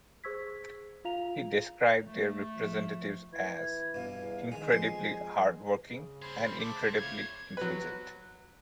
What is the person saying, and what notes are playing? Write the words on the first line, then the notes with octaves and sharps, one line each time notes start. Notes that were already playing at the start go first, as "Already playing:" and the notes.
He described their representatives as "incredibly hard-working and incredibly intelligent".
G#4 C5 C#6 E6 G#6 B6
F4 F5 A#5 F7
A3
F3
E3 G#6
G2 B2 F5
E2
D#3 G#3 D#4 G#5
F2 C6
C#3
G3 G#4 C5 B5
C#3 A3 A4 C5 D6
E4 F4 C5 C#5 G#6
F#3 B4